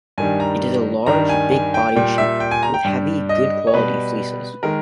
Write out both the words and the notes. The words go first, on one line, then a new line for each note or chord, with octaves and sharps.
It is a large, big-bodied sheep with heavy, good quality fleeces.
G2 D#3 G3 G#5
A#5
G2 D#3 G3 A#5
G#5
G#5
G5
A#2 G3 G5
E5
G5
G#5
A#5
G5
G2 G3
D#5
C#5
B2 G3 B4
D#3 G#3 A#4